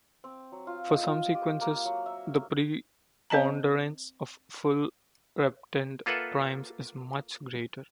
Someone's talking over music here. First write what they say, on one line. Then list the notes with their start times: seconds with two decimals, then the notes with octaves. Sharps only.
For some sequences, the preponderance of full reptend primes is much greater.
0.24 C4
0.52 F#3
0.67 F4
0.89 D#5
1.07 F4
1.34 G4
1.61 A#3
1.85 F#3
2.06 E5
3.30 C4 C5 D#5 A5 A#5
6.06 A#3 F4 A4 B4 E5 F#5